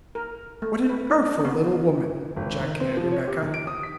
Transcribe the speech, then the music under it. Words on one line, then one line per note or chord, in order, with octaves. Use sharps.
"What an artful little woman!" ejaculated Rebecca.
A#4
A3
B4
D#4
D4
B3
G#1
D#3
C4
F3
C#5
G4
D#3
D7
D#6
B6